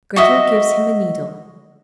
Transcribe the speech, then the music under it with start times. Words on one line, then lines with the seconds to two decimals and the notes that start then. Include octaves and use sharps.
Grettel gives him a needle.
0.16 F#4 D#5 E5